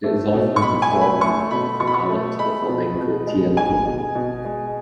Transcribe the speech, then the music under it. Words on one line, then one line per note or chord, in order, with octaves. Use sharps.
It is often performed as a finale to a flamenco tiento.
A3
B2
C#6
B2 B5
G#5
A3
B5
A3 C#6
B2 B5
B2 C#6
B5
C#6
A3
G#3 B5
B2
B2
G#3
G#3 G#5
B2
B2
G#3